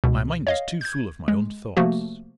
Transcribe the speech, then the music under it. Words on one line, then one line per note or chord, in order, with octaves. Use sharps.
"My mind is too full of my own thoughts."
C#2 B2
C#5 D#5 F5
G6 G#6
G#3
C3 F3 A3 A#3 F#4